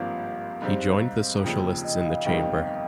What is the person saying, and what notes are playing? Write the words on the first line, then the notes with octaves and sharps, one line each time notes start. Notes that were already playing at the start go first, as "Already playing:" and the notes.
He joined the Socialists in the chamber.
Already playing: G#1 G2 F3 A#3 F5
G#2 G3 C4
F1 D#2 C#3 F3 G5
D#5
D#5
F5
G1 F2 C3 D#3 G3 G5